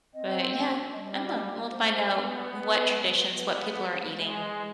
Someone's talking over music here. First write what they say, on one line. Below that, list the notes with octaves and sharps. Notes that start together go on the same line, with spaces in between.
But yeah, I don't know, we'll find out what traditions, what people are eating,
C4 D#5
G3 D#5
D5
D#5
D5
G#3 C5
B3
B4
B3
G#3